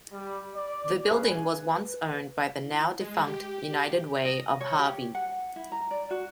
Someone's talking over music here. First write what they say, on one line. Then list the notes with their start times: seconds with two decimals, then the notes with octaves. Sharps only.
The building was once owned by the now defunct United Way of Harvey.
0.12 G3
0.53 D5
1.11 G#4 B4 F5
1.31 B4 G#5
2.61 E4
3.01 G#3
3.27 G4
4.25 D#5
4.61 C#5
4.79 G4
5.15 F#5
5.56 E4
5.72 A#5
5.91 D5
6.10 F#4